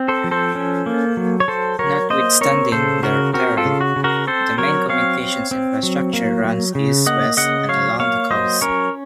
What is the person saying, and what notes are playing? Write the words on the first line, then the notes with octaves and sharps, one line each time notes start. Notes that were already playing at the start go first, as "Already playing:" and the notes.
Notwithstanding the terrain, the main communications infrastructure runs east-west along the coast.
Already playing: C4
A4 C5
F3
A4 C5
C#4
A#3
F#3
C#5
F#3 A4 C5
F#3 A#4 C#5
A#3 C5 D#5
C4 A#4 C#5
C#3 A4 C5
C#3 F#4 A#4
C4 F#4 A#4
F4 A4
C#3
F#4
C#3
F#4 A#4
C4 A4 C5
F#3 A#4 C#5
C4 C#5 F5
C4
C4
F#3
A#3
F#3
C#3
A#3 D#5 F#5
C#3 D#5 F#5
F#3 C#5 F5
A#3 C#5 F5
F#3 C5 D#5
C#4 A#4 C#5